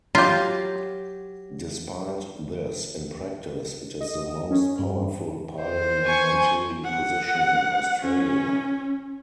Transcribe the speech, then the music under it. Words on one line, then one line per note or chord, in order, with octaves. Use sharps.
Despite this, in practice it is the most powerful parliamentary position in Australia.
F#3 F4 G4
D#5
C#4
G2
C5
G#5 C#6
F#5
C#4